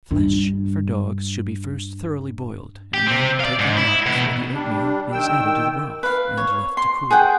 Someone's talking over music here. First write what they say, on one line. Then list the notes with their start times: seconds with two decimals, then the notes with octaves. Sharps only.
Flesh for dogs should be first thoroughly boiled and then taken out before the oatmeal is added to the broth, and left to cool.
0.11 G2 D4
2.94 G4
3.07 C3 C4
3.40 D5 F5
3.59 G#2
3.77 E4
4.06 B2 E4
4.53 G3 D4
5.12 D#3 G5 E6
6.03 B4 F5
6.37 C#5
6.77 C6
7.11 G#4 F#5 G5